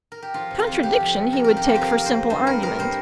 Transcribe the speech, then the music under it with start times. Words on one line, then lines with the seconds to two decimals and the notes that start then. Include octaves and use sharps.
Contradiction he would take for simple argument.
0.12 A#4
0.22 G4
0.34 F3 F4
0.51 C3
0.60 F4
0.67 F2
0.83 F2 G4
1.00 F3
1.16 C3
1.32 F2 A#4
1.44 F3 A#4
1.57 G4
1.64 F2 F4
1.76 C5
1.81 F3 A#4
1.97 F2
2.06 C5
2.14 F3
2.30 G2 C5
2.46 G3 A#4
2.62 G2 A#4
2.79 G3 C5